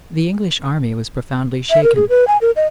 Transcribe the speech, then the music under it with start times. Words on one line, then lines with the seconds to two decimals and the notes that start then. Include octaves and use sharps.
The English army was profoundly shaken.
1.70 E5
1.84 A#4
1.96 G#4
2.09 B4
2.28 G#5
2.41 A#4
2.56 D#5